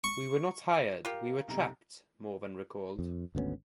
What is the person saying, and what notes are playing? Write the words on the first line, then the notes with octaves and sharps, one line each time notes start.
"We were not hired, we were trapped" Morvan recalled.
C#6
F4 G4 A#4
B1 C3 A#5
F2
G#1 D2 B3 C#4